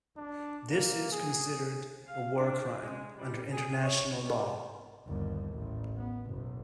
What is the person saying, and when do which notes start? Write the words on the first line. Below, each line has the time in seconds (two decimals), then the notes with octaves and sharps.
This is considered a war crime under international law.
0.17 D4
0.71 A#3
1.12 G#4
2.07 F5
2.37 D4
2.82 G#3
3.17 G3
3.52 G#4
3.82 C#5
4.23 G3
5.07 G1 D#2
5.54 A1
5.96 B3
6.27 F#1 B1